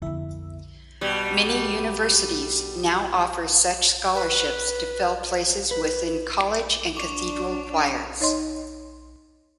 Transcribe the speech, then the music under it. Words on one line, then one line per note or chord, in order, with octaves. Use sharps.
Many universities now offer such scholarships to fill places within college and cathedral choirs.
F2 D3 B3 E4 E5
B2 G3
B4
B4
D4 C#6 D6 F7
D#4 C#5 D#5 C6